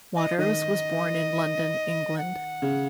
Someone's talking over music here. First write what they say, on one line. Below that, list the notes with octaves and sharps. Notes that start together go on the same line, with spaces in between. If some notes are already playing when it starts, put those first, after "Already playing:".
Waters was born in London, England.
D#5
D#3 D#5
F#5
C#3